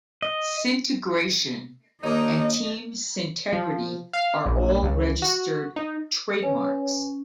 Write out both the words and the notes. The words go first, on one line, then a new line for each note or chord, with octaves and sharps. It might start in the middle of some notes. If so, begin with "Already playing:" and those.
"Syntegration" and "Team Syntegrity" are all registered trademarks.
D#5
D#2 A#3 D4 D#4 D#5
F3
F5
A#1
C#2
F#4
D#4
C#4 B4 C#5 G#5